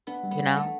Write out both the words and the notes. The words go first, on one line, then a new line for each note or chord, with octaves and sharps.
you know?
B3 D4
G3
B3
G3
A3 D4